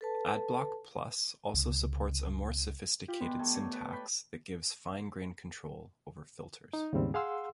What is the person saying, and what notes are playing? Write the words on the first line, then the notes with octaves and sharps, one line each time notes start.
Adblock Plus also supports a more-sophisticated syntax that gives fine-grain control over filters.
A4 B4 A5
C#2 C3
F4 G4
G3 G#3 B3
D#3 A3 G#4
C#5 D5
B4 A5
G5 B5
D#4
D#2 G#2 C#3 G3 C4
G#4 F5 F#5 C6 E6